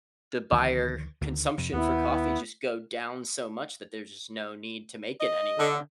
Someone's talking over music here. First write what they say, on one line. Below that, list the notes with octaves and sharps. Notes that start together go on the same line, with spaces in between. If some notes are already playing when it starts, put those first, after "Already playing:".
the buyer consumption for coffee just go down so much that there's just no need to make it anymore?
D2 D#3 F3
D2 D3 D#3
F2 C3
D#2 B3 E4
E4
D#5
D3